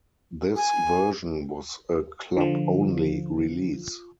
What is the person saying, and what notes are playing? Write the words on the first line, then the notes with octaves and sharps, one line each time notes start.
This version was a club-only release.
G#5
D3 F3 F4